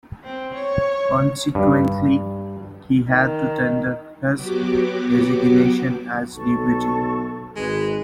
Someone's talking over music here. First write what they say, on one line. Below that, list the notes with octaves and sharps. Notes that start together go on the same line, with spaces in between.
Consequently, he had to tender his resignation as deputy.
C4
C#5
G2
D#3
F#3 B3 F#4 G4 D6
B1 A4 A5 C#6
G#1 G#3 B4